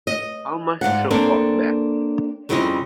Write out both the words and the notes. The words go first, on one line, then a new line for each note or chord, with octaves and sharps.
How much should Bob bet?
D#5
G#2 D5 F5 F#5
A#3 C4 D4 A4 D5
F2 C#3 G3 E4 C5 D#5